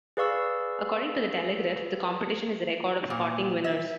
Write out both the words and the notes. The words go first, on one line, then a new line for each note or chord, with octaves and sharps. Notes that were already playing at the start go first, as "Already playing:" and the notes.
According to the "Telegraph", the competition has a record of "spotting winners".
G#4 B4 D5 F5 C#6 E6
A#2
E5